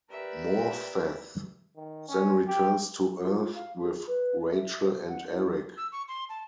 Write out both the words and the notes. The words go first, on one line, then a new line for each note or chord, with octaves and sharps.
Morpeth then returns to Earth with Rachel and Eric.
G4 A#4 B4 D5 E5
D#3
C#4
G4
F4
F5
G#4
B4
E5
C5
F#5
E4
E6
C#6
C6
A5